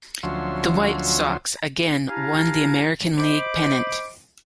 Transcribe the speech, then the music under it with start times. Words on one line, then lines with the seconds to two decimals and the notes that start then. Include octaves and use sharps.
The White Sox again won the American League pennant.
0.23 D2 F3 F#3 C#4 E5 C6
2.09 D4 E4 G4 F5 G#5 A#5
3.17 C5 D#5 B5 D6